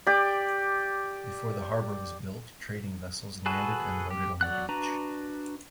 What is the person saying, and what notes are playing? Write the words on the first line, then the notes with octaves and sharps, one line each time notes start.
Before the harbour was built, trading vessels landed and loaded on the beach.
G4 D5
F#4 G#4 A4 B4
G4
F#3 D5 F#5 F#6
D4 F#4 B4 A#5